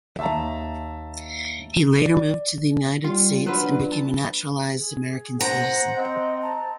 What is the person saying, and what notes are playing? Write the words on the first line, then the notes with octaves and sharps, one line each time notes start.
He later moved to the United States, and became a naturalized American citizen.
D#2 E5 A5 A#5
D5
G3 F4
F#3 D4 F4 B4
A5
G#4
C5 F#5 A#5
C4 D#5
A5 A#5